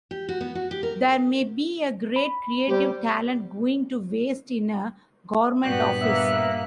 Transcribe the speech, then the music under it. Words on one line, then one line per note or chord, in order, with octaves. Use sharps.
There may be a great creative talent going to waste in a government office.
G4
F#4
B3
F#4
G4
A#4
B5
G3 B3 G4 C5
G2 A#2 B3 F#4 D5 G5 F#6
A#3 E5